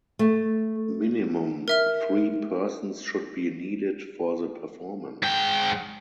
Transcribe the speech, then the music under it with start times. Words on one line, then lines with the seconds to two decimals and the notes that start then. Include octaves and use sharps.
Minimum three persons should be needed for the performance.
0.19 A3
1.68 A#4 E5 F6
5.23 G#2 G5